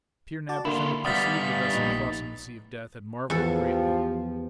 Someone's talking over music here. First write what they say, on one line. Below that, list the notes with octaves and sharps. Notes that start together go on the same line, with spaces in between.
Pir-napishtim had perceived the vessel crossing the Sea of Death and marvelled greatly.
F#4 D5 A5
D3 A#3 E4 F4
G3 B3 D5 E5 F5 D#6 A6 B6
A#1 A#2 D#4
E2 F3 G4 A4